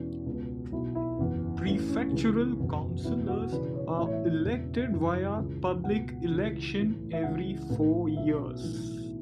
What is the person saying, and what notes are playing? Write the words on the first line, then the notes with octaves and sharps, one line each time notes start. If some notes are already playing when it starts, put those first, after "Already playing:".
Prefectural councillors are elected via public election every four years.
Already playing: E1 E2 E3 C#4
C#2 B2
B1 B2 E4
E4
F#1 E2 E3
A1 A2 E3 C#4
C#4
C#2 C#3 E3
F#1 E2 B2
E1 E2 B2 E4
F#4
E1 E2 C#3 E3 B4
C#5
A1 A2 E3 E5
C#5
E5
E1 E2 C#3 E3
F#1 F#2 C#3 E3
C#2 C#3 E3
C#2 B2 F#5
C#2 C#3 E3
B1 A2 E3
E5
C#2 C#3 E3 F#5
A1 A2 E3
B1 B2 E5
B1 A2 E3